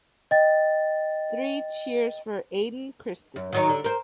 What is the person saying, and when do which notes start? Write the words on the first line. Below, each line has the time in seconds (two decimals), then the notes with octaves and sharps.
Three cheers for Aden Christopher.
0.31 D#5 G5 A6
3.36 F#2
3.53 D#3 F#3 D#4
3.69 D3
3.84 A#4 C5